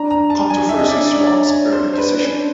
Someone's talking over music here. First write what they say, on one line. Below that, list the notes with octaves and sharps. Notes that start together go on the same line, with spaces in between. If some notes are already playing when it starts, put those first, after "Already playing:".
Controversy surrounds early decision.
Already playing: D4 A#5
A#5
A5
G#5
D#4 E5
D4 D#5
C#4 D5
D4
D5
C#5
D5
C#5
C5
C5
B4
C#4
D4